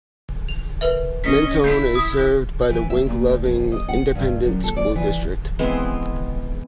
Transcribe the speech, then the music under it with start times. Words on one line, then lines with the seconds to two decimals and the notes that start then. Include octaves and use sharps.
Mentone is served by the Wink-Loving Independent School District.
0.49 F7
0.81 A#4 B4 E5
1.24 C#4 D#5 B6
1.64 E4 G6
1.95 D#6
2.70 E3
2.90 E5
3.06 A#2
3.26 D2
3.43 F2
3.72 D#5
3.88 F#5
4.15 G2
4.43 F#2
4.64 A4
4.76 D5
4.96 E3
5.59 E3 G#3 B3 C4